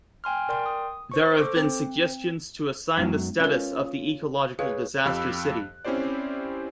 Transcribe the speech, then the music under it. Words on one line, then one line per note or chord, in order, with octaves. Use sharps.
There have been suggestions to assign the status of the ecological disaster city.
G5 G#5 C6 F6
A#4 D5 G5 C6
D#6
C5 C#6
A4 C5 D6
C4
F#2 F#3 G#3 B3 D#4
C#4 F4 A#4 B4
G#4 B4 C#5 F5
F2 G4 F5 B5 E6 F#6
C4 C#4 E4 G4 C5 D5